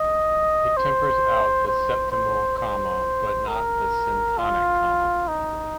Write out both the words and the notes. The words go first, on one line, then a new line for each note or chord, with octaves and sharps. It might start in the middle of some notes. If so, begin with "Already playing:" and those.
It tempers out the septimal comma but not the syntonic comma.
Already playing: D#5
C5
C5
C5
C5
A#4
F4
D#4